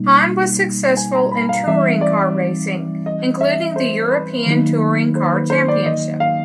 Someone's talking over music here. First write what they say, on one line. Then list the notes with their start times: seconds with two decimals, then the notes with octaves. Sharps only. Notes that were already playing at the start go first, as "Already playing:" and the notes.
Hahne was successful in touring car racing, including the European Touring Car Championship.
Already playing: B2 G3 A#3 D#4
0.97 G#5
1.15 A#5
1.32 B5
1.49 F5
1.67 E3 G3 C4 D#4 E5
2.01 D5
3.06 D#5
3.41 E5
3.76 C5
4.12 B4
4.46 D#3 F#3 A#3 D#4
5.15 C5
5.32 B4
5.50 C5
5.68 D5
5.86 D#5
6.20 F5